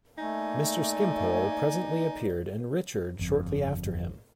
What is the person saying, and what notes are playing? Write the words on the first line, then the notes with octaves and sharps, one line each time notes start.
Mr. Skimpole presently appeared, and Richard shortly after him.
A3 A#3 D#4 D5 G#5
G1 F2